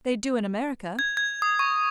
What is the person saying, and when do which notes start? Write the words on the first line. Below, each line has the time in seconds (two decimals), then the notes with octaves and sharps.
"They do in America."
0.99 G#6
1.17 G#6
1.42 D#6
1.59 C#6